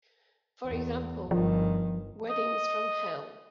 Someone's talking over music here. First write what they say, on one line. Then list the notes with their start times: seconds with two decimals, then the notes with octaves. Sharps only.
For example, "Weddings from Hell".
0.66 E2
1.31 G1 D#3 F3
2.30 D#5